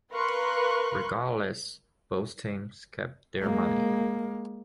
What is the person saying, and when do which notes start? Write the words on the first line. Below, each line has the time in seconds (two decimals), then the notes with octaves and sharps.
Regardless, both teams kept their money.
0.12 A#4 B4 F5 C6 C#6 F#6
3.38 G#3 A#3